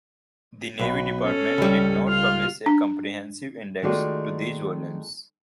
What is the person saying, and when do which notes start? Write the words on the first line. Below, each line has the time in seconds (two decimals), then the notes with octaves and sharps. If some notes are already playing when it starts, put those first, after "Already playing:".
The Navy Department did not publish a comprehensive index to these volumes.
0.79 B1 B4
1.23 C#4 A4
1.58 C#2 G3
2.07 F4 F5
2.66 D4
3.82 D#3 G#3 A3 F4 F#4 D5